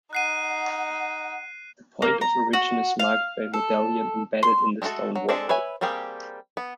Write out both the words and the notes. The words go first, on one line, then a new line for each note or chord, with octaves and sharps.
The point of origin is marked by a medallion embedded in the stone walkway.
D#4 F#5 F#6 C7 D#7
A#3
A#5
F#4
F5
A4
C6
G#3 A3 C#4 F#4 A4
F#3
G#3 C4 D4 G#4 A4
B4 C#5 E5 G#5
G3 A#3 C4 G4 G#4
B3